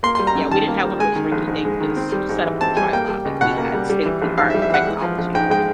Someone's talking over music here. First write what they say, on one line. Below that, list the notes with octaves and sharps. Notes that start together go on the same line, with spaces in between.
Yeah, we didn't have one of those rinky dink, just set up on a tripod. Like we had state-of-the-art technology.
A#3 C6
C6
G3
A#5
F#2
D#3 A5
A#3
G3
G#3 G#5
D#3
A#1
G#2
G#3
D#3
C4
G3
G#2
E3
C4 A5
G3 G#5
A#3 G5
G3
C#2
B2 F#5
A#3
G3
G3
E3
A#1
G#2 F5
E5
G3
E5
E3 F#5
G#3
F3
A#1
G#2 G5
G#3 G5